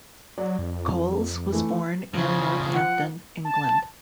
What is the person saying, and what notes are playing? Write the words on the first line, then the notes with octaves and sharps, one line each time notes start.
Coles was born in Northampton, England.
F#3 D5
F2
E3 A3
F2 C#3 F3
F#5
A5